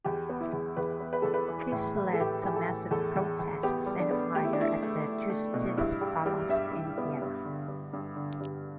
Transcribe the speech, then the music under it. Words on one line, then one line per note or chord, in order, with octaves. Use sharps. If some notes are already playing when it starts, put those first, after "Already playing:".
This led to massive protests and a fire at the "Justizpalast" in Vienna.
E2 G4
B3
E4
E2
E2 B4
B3
B4
E2 A4
B4
E3
A2
A2
A4
A2 G4
E3 G4
A4
A2
E2 A4
E2
E2
B3 G4
G3
D4
B3
A3 G4
E4
D4
A3 E4
A3
A3
A3
B2
G2 E4
G3
G3
G2 E5
G2
B3
G2
D3
G2
G2
D3
G2